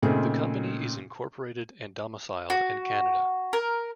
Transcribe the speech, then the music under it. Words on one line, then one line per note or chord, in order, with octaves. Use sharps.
The Company is incorporated and domiciled in Canada.
A#2 C#3 A3 C4 D#4 G#4
F#4
A#4